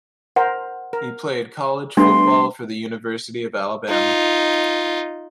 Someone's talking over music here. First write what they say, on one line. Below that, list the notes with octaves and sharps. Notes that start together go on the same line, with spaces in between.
He played college football for the University of Alabama.
A#4 C5 F#5
A#4
G3 A3 B3 D4 F#4 C6
D#4 F4